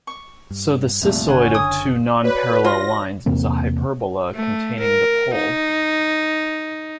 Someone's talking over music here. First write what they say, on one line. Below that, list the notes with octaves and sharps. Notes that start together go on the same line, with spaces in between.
So the cissoid of two non-parallel lines is a hyperbola containing the pole.
C#6
G2
C2 F2 A#2 G3 A3
F#1 D3 C#4 F#5 G#5
D#6
F#4 B4 C#5 D5
F4 A#6
E2 C3 A#3 C4
A3
A#4
D#4